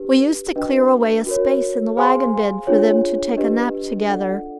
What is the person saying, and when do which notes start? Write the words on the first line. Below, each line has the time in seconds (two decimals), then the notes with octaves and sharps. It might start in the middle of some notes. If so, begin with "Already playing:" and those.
We used to clear away a space in the wagon bed for them to take a nap together.
Already playing: D4 G4 B4
0.56 D4 F#4 B4 D#5 G5
1.27 F#4 A#4 C#5
1.97 G#4 C5 F5 G#5 C6
2.67 D4 F4 G#4 C#5
3.37 D4 G4 B4 D#5
4.08 D4 F4 A4 D5 F#5